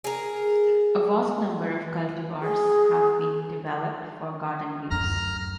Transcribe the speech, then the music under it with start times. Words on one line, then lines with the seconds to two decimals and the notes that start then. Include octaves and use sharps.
A vast number of cultivars have been developed for garden use.
0.04 G#4 A#4
2.41 G#4
4.91 D1 F#2 A#5 F6